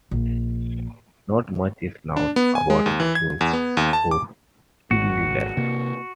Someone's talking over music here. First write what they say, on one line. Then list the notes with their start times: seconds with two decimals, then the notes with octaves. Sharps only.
Not much is known about Choe Woo's early life.
0.11 A#1
2.17 D4
2.36 B3
2.55 G#5
2.70 G#3
2.86 D#2
3.00 E3
3.15 G#6
3.41 E2
3.53 B3
3.77 D#2
3.93 A5
4.11 D6
4.91 G#1 F#4
5.57 C3 A#3